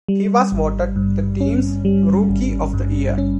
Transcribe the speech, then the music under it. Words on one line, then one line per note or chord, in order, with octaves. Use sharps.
He was voted the team's Rookie of the Year.
G3
G#1
G2
C#4
G3
G#1
G2
C#4